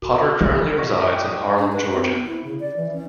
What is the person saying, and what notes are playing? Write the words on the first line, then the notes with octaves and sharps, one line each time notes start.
Potter currently resides in Harlem, Georgia.
F#4
B5 F6 F#6
D5 D#5 C#6 F#6 A#6 B6
G5 D6 D#6
D4
B4
C4
B3
E4
C#3
D5
E3
C#4